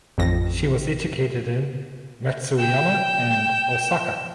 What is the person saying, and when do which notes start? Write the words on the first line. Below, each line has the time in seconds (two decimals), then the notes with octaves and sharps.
She was educated in Matsuyama and Osaka.
0.18 A1 F2 A#6
2.58 G5 E7